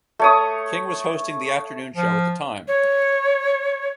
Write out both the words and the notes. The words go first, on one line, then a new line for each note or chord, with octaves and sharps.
King was hosting the afternoon show at the time.
A3 C#5 D#6
F3
C#5